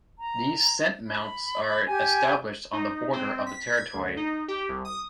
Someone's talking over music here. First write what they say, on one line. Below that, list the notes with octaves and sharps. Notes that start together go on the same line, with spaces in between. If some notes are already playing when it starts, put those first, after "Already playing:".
These scent mounts are established on the border of the territory.
A#5
B5
G4 G#5
D#4
C4
B6
G#6
D2
D#4
G4
C2
D#6